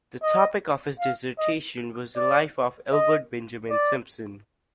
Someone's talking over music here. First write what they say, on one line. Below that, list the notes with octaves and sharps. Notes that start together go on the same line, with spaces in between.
The topic of his dissertation was the life of Albert Benjamin Simpson.
D#5
F5
D#5
D5
D#5
D5